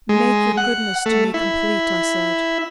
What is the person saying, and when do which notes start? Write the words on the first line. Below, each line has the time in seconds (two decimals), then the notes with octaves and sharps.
"Make your goodness to me complete," I said.
0.09 G#3
0.57 F#5
1.06 A3
1.34 E4